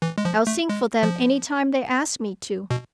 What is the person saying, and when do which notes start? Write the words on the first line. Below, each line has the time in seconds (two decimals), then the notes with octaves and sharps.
I'll sing for them any time they ask me to.
0.02 E3
0.18 G#3
0.25 F3
0.47 A3
0.69 G#3
1.03 F3
2.70 B2